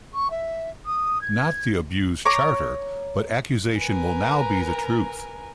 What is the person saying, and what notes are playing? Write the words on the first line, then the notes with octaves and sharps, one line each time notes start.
Not the abused "Charter", but accusation will now be the truth.
C#6
E5
D#6
G#6
C#5 A#5 D6
A#4 B4 G#5 A#5